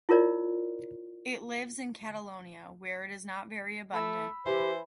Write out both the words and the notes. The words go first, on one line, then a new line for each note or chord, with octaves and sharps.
It lives in Catalonia, where it is not very abundant.
E4 F4 A#4 C#5 D5
A3 B5 E6
E3 G4 C5